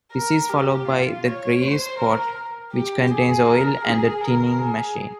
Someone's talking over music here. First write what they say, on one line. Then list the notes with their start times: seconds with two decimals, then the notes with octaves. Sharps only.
This is followed by the grease pot, which contains oil and a "tinning machine".
0.13 A#4
0.50 G4
0.87 F4
1.24 C#5
1.62 C5
1.99 A#4
2.73 G4
3.11 G#4
3.47 A#4
3.84 G#4
4.22 A#4
4.58 G#4